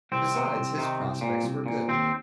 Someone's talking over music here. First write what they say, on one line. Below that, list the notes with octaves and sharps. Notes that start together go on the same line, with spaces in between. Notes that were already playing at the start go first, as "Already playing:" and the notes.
Besides, his prospects were good.
C2 C4
C3 D#3
C2
C3 D#3
C2
A#2
C2
A#2
D#2 C4